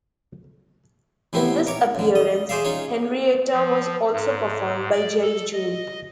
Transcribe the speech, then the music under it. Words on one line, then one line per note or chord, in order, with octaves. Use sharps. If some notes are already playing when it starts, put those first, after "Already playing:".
In this appearance, Henrietta was also performed by Jerry Juhl.
A2 C3 C4 E4 F#4
A#4 C#5 D6
F#2 D3
D#5
G#4 C5 D5 E5 F5
C#4 D#4 F4 C#5
F3
G#2
D5
A4
D#5